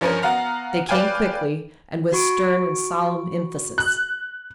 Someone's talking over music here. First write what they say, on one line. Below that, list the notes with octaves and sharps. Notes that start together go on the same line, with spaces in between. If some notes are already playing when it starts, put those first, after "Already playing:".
They came quickly and with stern and solemn emphasis.
G2 F3 C#4 A#4 C5 G#5
B3 F#4 F5 A#5
B4 D5 F5 G5 G#5
F#4 C#6 D7
F#6